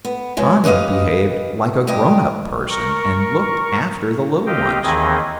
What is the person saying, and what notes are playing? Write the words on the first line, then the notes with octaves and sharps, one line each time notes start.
Tanya behaved like a grownup person, and looked after the little ones.
B3
F2 B2 G#3 C#4
G4 B4 C5 D#5 F5
D2 G2 G4 D#5
A#4 C#6
C4 G4 D#5 F5 G5
D#2 D#3 E3 C4 G#4 D#5